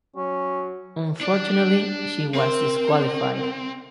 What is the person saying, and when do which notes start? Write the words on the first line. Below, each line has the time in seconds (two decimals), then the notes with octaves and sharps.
Unfortunately she was disqualified.
0.16 F#3 C#4
1.21 D4 D5
2.35 C4 A#4